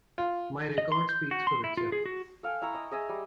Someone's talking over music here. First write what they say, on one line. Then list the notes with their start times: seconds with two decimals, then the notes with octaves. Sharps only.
My record speaks for itself.
0.18 F4
0.78 D#5
0.92 C6
1.09 G6
1.31 F#4
1.47 C6
1.64 E4
1.77 F4
1.92 G#4
2.06 F#4
2.43 A4 F5 G5 G#5
2.62 E4 E5 A#5 C#6
2.74 D#5
2.91 G#4 D#5 E5 G#5
3.09 G3